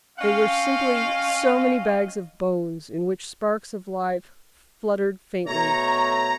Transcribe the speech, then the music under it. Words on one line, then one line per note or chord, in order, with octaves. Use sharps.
They were simply so many bags of bones in which sparks of life fluttered faintly.
C4 C#4 D#5 F5
B2 A3 C#5 A#5